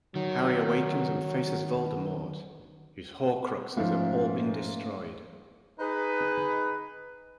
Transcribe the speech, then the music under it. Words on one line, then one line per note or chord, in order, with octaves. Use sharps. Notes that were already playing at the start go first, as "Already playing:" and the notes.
Harry awakens and faces Voldemort, whose Horcruxes have all been destroyed.
D#3 F#3
G#2 F3 A3 C#4 F5
D#4 G#4 B4